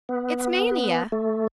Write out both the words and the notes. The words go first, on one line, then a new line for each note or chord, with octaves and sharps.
It's mania.
B3
A3